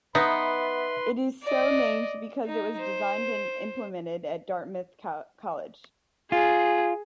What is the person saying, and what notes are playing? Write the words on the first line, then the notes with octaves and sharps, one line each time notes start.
It is so named because it was designed and implemented at Dartmouth College.
B3 D#4 B4 E5 B5 C6
D5 D#5
D#4
C5
F4 G#4